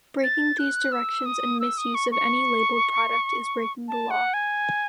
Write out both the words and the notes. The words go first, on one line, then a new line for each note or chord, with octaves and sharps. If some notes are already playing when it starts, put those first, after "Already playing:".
Breaking these directions and misuse of any labeled product is breaking the law.
A6
F#6
E6
D#6
E6
D#6
C#6
C#6
A5
F#5
G#5